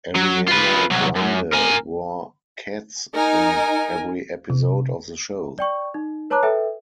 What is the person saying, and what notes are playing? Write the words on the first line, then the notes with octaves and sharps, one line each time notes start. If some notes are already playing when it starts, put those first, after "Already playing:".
Ariana Grande wore Keds in every episode of the show.
F#3
F4 B4
C2 F#3
F#2
A#4 G#5
D#4 A#4 G#5
C3
D5 G5 C#6
D#4
B4 C#5 A5 A#5 D6 F#6
A4 B4 E5 G5